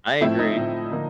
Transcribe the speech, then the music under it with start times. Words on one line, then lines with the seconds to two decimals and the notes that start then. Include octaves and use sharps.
I agree.
0.21 A2 F3 A3 C4 E4 E5
0.39 D#4 D#5
0.57 A2 F3 A3 C4
0.91 D3 F3 A#3